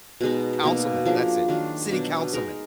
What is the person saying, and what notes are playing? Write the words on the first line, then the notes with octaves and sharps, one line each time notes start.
councilman. That's it, city councilman.
B2 G#3 D#4
B2 A#3 D#4
F3 A#3 D4 G#4
D#3 F#3 D4 F4
B2 F#3 D4
G#3 D#4 A#4